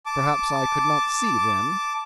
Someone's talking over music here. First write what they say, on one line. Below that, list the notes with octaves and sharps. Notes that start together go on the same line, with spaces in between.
Perhaps I could not see then.
A5 D6